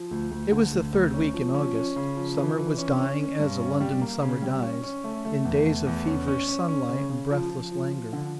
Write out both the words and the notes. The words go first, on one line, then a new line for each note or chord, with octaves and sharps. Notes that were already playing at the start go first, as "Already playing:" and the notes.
It was the third week in August; summer was dying, as a London summer dies, in days of feverish sunlight and breathless languor.
Already playing: F3
D2
D2
D3
D2
D2
C#4
F3
C#4
C#4
C#3
F3
E3
E3
C#4
C#4
C#4
G2
C#4
G3
A#3
C#3
G3
C#4
C#4
A3
A3
E2
A3
E2
C#4
C#4
C#4
C#4
C#3
C#3
F3
F3
F3
F3
D3